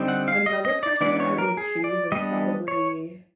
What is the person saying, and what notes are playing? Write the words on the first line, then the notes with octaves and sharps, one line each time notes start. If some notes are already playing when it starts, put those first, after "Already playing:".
another person I would choose is probably
Already playing: D3 G3 C4 D#4
F#5
F5
D#5
D#5
D5
E3 G#3 B3 D4 D5
C#5
A#4
G#4
D5
G3 B3 D4 D#5
C#5